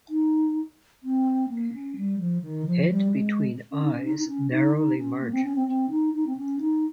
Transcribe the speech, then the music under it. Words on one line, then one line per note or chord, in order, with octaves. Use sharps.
Head between eyes narrowly margined.
D#4
C4
A#3
C#4
G3
F3
D#3
F3
G3
G#3
C#4
D#4
C#4
D#4
D#4
C#4
D#4
D#4
C#4
A#3
C4
C#4
C4
C4
D#4
D#4
C4
C#4
D#4